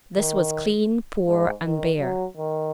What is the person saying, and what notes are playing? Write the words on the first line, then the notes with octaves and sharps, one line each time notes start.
This was clean, poor, and bare.
D#3
G#2
D#3
F#3
D#3